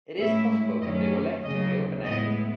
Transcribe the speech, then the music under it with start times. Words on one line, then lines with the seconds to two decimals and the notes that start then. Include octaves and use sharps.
It is possible that they were left in the open air.
0.20 A2 G#3 C#4 E4 E5
0.81 F#2 D#3 F#3 A3 C#4 D#5
1.43 D#2 C#3 F#3 D#5
2.05 A2 G#3 B3 E4 D#5